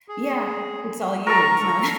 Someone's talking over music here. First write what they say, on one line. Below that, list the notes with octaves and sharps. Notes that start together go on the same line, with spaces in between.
Yeah, it's all you, it's not
G#4
A4 A#4 A#5 C#6